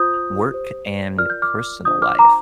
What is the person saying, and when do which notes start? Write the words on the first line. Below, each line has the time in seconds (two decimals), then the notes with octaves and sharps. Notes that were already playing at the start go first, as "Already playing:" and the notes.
work and personal life.
Already playing: F4 C5 D#6 G6
0.51 G4 C5
1.18 F4 A#4 D5 F6
1.30 G6
1.42 D6 F6
1.85 D4 F4 C5 D#6 G6
2.02 D6 F6
2.19 A#5 D6